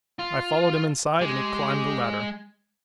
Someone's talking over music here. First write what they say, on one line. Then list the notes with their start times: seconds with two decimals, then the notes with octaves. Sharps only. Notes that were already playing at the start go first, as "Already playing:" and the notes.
I followed him inside and he climbed the ladder.
0.19 F4
1.21 G#3 G4